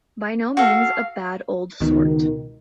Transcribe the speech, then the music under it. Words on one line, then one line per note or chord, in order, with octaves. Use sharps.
By no means a bad old sort.
F#4 A4 F5
C#2 B2 D#3